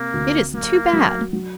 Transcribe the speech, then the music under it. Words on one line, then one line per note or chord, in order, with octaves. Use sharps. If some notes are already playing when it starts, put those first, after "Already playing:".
It is too bad.
Already playing: C3 A#3
D2
F#3 A#3
F#3
F#3